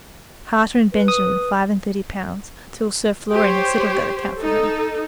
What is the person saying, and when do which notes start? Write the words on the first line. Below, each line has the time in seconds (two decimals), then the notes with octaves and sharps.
Harter and Benjamin five-and-thirty pounds till Sir Florian had settled that account for her.
0.93 B4
1.08 D#6
3.32 G4 C5 C#5
4.39 D#4 A4